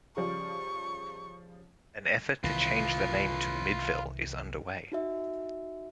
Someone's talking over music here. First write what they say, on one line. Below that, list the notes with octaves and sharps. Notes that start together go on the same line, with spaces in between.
An effort to change the name to MidVil is underway.
C#3 F3 G3 C#6
C2 D#3 E3 F4 B4
D#4 F#4 E5